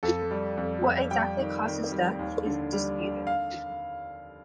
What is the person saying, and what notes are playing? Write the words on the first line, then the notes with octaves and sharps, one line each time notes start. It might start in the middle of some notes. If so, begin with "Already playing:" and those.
What exactly caused his death is disputed.
F2 A4
G3
F2
F2
G3 G5
D#3
D#3
G3
D#2
D3
G3
D3
F5